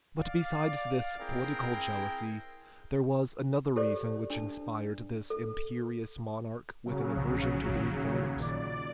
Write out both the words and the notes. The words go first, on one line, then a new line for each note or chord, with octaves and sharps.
But besides this political jealousy, there was another reason which inspired this imperious monarch with an aversion to the reformers.
D5 F5
C4 E4 G#4 A#4 G5
G4 A4 C5 D5
D4 A5
A4
C#3 F#3
B1 F3
A#1 D#2
A#2 D#3 D5